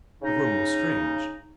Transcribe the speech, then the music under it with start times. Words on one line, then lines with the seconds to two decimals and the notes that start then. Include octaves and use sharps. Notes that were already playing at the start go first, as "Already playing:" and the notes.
The room was strange!
0.22 C#3 D#4